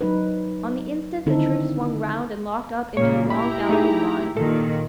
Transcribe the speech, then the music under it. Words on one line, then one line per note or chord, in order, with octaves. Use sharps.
On the instant the troops swung round and locked up into a long, galloping line.
F#3 D#4 B4
D3 D#3 C4 D#4 E4 A4
A#2 C#3 A#3 C#5
E4 G4 A#5 B5
A3 D#4 G#4
A#2 D#3 A4